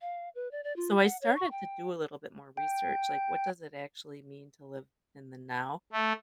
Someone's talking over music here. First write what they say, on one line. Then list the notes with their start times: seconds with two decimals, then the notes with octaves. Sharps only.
So, I started to do a little bit more research, like, what does it actually mean to live in the now?
0.01 F5
0.35 B4
0.51 D5
0.64 D5
0.76 F4
1.02 F#5
1.22 C#5
1.36 C#6
1.51 G5
2.57 G5
5.92 A3